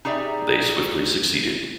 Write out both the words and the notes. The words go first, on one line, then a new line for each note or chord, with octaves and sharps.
They swiftly succeeded.
D#4 G4 G#4 D5 E5